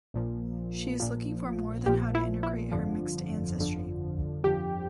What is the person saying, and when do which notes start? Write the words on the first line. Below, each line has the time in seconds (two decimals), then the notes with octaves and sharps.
She is looking for more than how to integrate her mixed ancestry.
0.14 A#1 A#2 F3
1.00 A#1 A#2 F3
1.86 A#1 A#2 F3 G4
2.15 E4
2.43 E4
2.72 G1 F2 D3 F3
3.58 G1 F2 D3 F3
4.43 G1 F2 D3 F3 G4